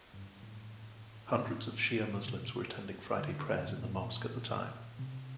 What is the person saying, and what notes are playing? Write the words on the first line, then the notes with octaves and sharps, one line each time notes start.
Hundreds of Shia Muslims were attending Friday prayers in the mosque at the time.
G2
A2
A2
A#2
C3
D3
G2
A2
A#2
C3